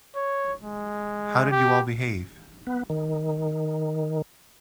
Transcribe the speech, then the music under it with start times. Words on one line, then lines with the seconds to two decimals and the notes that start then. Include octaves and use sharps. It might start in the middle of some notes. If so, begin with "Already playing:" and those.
How did you all behave?
0.16 C#5
0.62 G#3
1.51 G4
2.67 B3
2.90 D#3